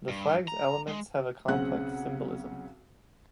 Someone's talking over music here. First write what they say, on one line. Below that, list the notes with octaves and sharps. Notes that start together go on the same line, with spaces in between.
The flag's elements have a complex symbolism.
G2
A#5
G#3
B1 C#3 C4 C#4 F#5 F#6